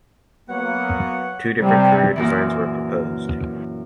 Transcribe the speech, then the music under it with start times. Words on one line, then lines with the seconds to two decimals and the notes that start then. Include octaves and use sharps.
Two different carrier designs were proposed.
0.49 F#3 A#3 B3 C#5 F#5
1.59 C3 G3
2.16 F#2 A#2 E3